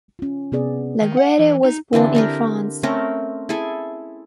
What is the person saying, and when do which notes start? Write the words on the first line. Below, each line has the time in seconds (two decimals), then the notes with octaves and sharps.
Laguerre was born in France.
0.19 C#4 F4
0.52 C3 B3 G#4 D5
1.01 D#3
1.17 F#5
1.39 E3
1.65 D#4
1.93 D3 E3 C4 D4
2.15 D4 G4 A#4
2.83 A3 C4 C#4 A#4
3.49 E4 G#4 A4 G#5